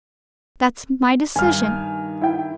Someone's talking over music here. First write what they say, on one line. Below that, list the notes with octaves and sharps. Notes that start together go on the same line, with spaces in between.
That's my decision.
G2 D#3 G#5 F6
E4 G5